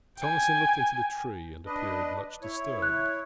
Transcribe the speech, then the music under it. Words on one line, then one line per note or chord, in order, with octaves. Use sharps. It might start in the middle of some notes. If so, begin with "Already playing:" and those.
Thomasin looked into the tree and appeared much disturbed.
G5 G#5
D4 B4 D#5
E4 C#5
F#6